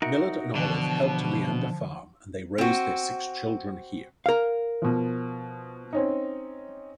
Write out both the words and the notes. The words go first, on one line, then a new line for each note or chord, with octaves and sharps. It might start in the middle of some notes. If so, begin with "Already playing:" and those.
Millard and Olive helped Leander farm and they raised their six children here.
D#4 F#4 A#4 E5 C#7
B2 D3 E3 F3 D4
C4 F#4
A#4 F5
B2 F3
C4 C#4 D#4